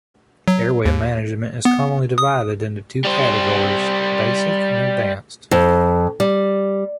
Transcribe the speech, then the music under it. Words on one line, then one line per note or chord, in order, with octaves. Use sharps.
Airway management is commonly divided into two categories: basic and advanced.
F#3
D#2
B3
D#6
G3 C5
F2
G3